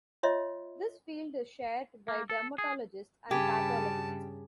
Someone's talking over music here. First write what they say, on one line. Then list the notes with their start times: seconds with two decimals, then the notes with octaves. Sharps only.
This field is shared by dermatologists and pathologists.
0.23 F4 C#5 D#5 E5 C6
2.08 A#3
2.30 A4
2.58 G#4
3.31 G2 C#3 G4 G#4 A5 B5